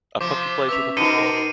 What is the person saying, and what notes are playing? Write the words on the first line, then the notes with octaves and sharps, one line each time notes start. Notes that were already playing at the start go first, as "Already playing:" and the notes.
A puppy plays with a football.
C3 F3 C5 D6
C#4 B4 E5
B2 D#4 A#4 C5 C7 C#7 D#7